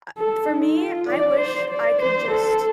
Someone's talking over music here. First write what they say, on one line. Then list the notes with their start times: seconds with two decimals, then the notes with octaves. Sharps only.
I for me, I wish I could just n
0.18 A4
0.49 D#4
0.80 F4
1.09 D5
1.40 C5
1.71 D5
2.02 C5
2.31 A4